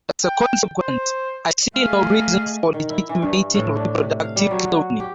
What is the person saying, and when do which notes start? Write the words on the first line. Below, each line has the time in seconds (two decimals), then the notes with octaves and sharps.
As a consequence, I see no reason for legitimating reproductive cloning.
0.24 G5
0.81 C5
1.75 A3 G#4 D#5 F5
2.74 D#3
2.90 E4
3.09 E3
3.22 G2
3.55 A2
3.76 D4
4.00 C3
4.22 F5
4.36 G3
4.51 F#3
4.65 F#4
5.00 G4